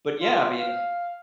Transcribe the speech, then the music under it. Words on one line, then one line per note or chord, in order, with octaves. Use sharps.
But, yeah, I mean,
F4
F5